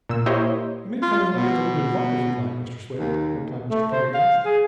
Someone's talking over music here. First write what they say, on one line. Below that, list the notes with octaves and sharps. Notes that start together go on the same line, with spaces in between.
"You may come and look at the looted vault, if you like, Mr. Swift," replied Mr. Pendergast.
A#2 E6
A#3 E4 G4 C5 C#5 D#5
F4
B2
D#2
A3
C5
F5
G#4